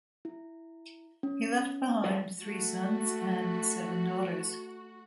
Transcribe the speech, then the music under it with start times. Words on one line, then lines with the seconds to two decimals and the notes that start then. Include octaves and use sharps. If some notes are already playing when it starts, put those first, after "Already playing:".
He left behind three sons and seven daughters.
0.25 E4
1.23 C#4
2.41 A3 F#4